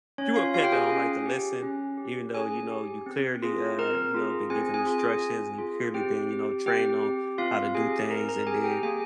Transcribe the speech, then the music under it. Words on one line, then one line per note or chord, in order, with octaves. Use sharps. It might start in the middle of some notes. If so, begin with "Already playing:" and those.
you a pet that don't like to listen, even though, you know, you clearly, uh, you know, been giving instructions and you've clearly been, you know, trained on how to do things, and then,
C#4 C#5
F4 F5
F4 G4 F5
G5
G#4 G#5
C#4
G4
C#4
G4
C#4 G#4 G#5
G4
C4
F4 G#4
C4 A#4 A#5
F4 G#4
C4 G#4 G#5
G#4 G#5
F4 G#4
G#4 G#5
C4
F4 G#4
C4 G4 G5
G4
C4 G4 G5
G4
C4 F4 F5
G4 G#4 G#5
C4 A#4 A#5
A#4 A#5
G4 G#4 G#5
G4 G5
A#3 G#4 G#5